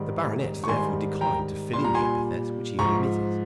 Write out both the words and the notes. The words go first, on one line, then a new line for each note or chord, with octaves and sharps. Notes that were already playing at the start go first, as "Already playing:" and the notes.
The Baronet therefore declined to fill in the epithet which he had omitted.
Already playing: G#2 D#3 G3
C#6
G#2 D#3 G3 G#5 C6
G5 A#5
A#2 G3 C6
A#5
G#5 C6
G#2 F3 A#5 C#6